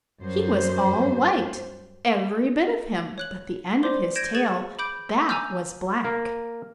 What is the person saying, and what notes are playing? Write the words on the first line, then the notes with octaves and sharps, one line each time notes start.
"He was all white, every bit of him but the end of his tail, that was black."
F#2 G3 C5
C#5 F#6 F#7
C5 D5 C6 D6
G6 G#6 A#6 D7 E7
G#4 B4 G#6 A6 E7 F#7
B5 D6 G6 D7
G#5 A#5 D6 E6 F6 G6
A#3